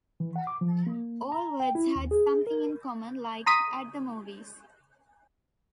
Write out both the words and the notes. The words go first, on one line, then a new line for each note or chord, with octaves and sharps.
All words had something in common, like "At the Movies".
E3
F#5
D6
F3
A#3
A#5
G5
E4
D#2
G#4
A#4
A#5 C6 D#6 B6 D#7